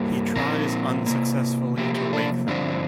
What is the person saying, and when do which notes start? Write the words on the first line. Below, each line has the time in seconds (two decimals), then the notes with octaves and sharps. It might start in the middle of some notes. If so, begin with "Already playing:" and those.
He tries unsuccessfully to wake them.
Already playing: G2 G3 A#3
0.36 A#2 F3 C4 A#4
1.06 C3 A#3
1.77 C3 F3 A#3 G4
1.95 G4
2.13 D4
2.47 G2 D3 F3 C4 D4